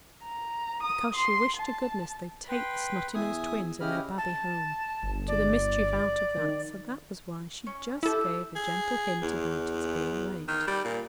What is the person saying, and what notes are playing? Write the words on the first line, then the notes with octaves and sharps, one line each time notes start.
Because she wished to goodness they'd take the snottynosed twins and their babby home to the mischief out of that so that was why she just gave a gentle hint about its being late.
A#5
D#6
C6
A5
B4 G5 C6
E2 E5 G#5 D#6
C#3 E4 G4 D#5 B5 F6
A5
G1
D5
D#3
C#4
E4 G4 A4 E6
G#4
E2
D#3
G3
A#2